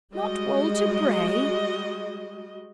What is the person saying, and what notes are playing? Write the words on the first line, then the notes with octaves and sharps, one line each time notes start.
'Not Walter Bray!
G3 G#3 F#4 D#5